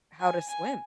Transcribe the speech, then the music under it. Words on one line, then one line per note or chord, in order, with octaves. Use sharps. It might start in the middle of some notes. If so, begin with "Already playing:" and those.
how to swim.
G#5
G#5